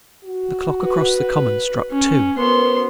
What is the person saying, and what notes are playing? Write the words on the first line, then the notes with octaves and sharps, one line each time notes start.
The clock across the common struck two.
F#4
B4
C#4
B3 F#4 A#4 C5 C6